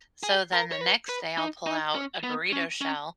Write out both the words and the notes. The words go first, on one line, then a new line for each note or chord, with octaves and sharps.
So then the next day, I'll pull out a burrito shell,
G#4
A#4
C#5
B4
B4
D#4
D#4
C#4
B3
C#4
C#4